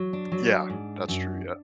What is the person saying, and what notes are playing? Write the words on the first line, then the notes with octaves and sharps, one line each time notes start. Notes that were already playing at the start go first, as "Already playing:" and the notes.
Yeah. That's true. Yeah.
Already playing: F#3
D4
F#3
G#2
F#2